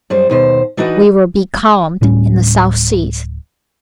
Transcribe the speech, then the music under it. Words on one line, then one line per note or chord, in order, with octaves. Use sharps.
We were becalmed in the South Seas.
F#2 G3 C5
D#2 B2 C5
E3 D4 D#4 F#4 B4 D#5
D1 A2 G3 C#4